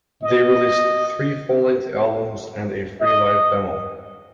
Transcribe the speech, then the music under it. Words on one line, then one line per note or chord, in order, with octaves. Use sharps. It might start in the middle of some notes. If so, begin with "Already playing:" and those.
They released three full-length albums and a free live demo.
D#5
D#5